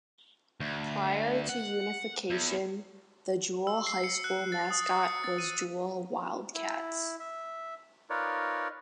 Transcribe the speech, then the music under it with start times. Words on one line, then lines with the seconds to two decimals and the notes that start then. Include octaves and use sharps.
Prior to unification, the Jewell High School mascot was Jewell Wildcats.
0.60 D2
1.49 F#5
2.30 E2
3.67 E6
3.87 C7
4.04 C#7
4.24 F#6
4.52 A6
4.71 D#6
4.86 C7
5.03 C#7
5.24 A6
5.38 D#7
6.54 E4
7.20 E5
8.10 D#4 F4 A#4 B4 C#5 D5